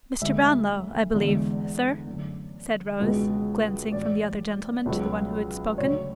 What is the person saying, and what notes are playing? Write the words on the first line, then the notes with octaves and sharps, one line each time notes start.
'Mr. Brownlow, I believe, sir?' said Rose, glancing from the other gentleman to the one who had spoken.
E1 D2 D3 G#3 E5
E2 D3 G#3
F#2 D3 A3
C#2 B2 G#3
A1 A2 G#3 D5
C#2 B2 F#3
D2 C#3 F#3 C#5